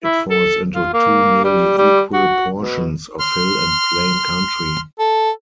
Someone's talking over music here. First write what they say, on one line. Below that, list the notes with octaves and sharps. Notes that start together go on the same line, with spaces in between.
It falls into two nearly equal portions of hill and plain country.
E4
A4
F4
A#3
G3
G3
F#4
B2
C6 F6
A4